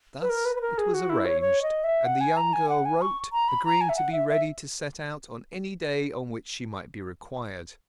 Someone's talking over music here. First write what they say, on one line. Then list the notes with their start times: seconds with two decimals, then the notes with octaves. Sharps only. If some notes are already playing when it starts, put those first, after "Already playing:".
Thus it was arranged; and the young girl wrote, agreeing to be ready to set out on any day on which she might be required.
0.22 B4
0.29 A#4
0.45 B4
0.56 B4
0.61 A#4
0.78 G#4
0.94 F#4
1.10 E4
1.26 C#5
1.41 C#5
1.62 D#5
1.84 E5
2.05 F#5
2.21 G#5
2.37 A#5
2.53 G#5
2.69 F#5
2.85 G#5
3.01 C#6
3.33 A#5
3.48 B5
3.65 A#5
3.81 G#5
3.89 E5
3.97 F#5
4.12 E5
4.29 E5